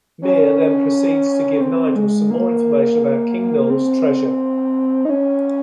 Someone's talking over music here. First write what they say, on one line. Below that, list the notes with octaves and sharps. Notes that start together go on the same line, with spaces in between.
Mir then proceeds to give Nigel some more information about King Nole's treasure.
C#4
C4
G#3
A#3
C4
D#4
C#4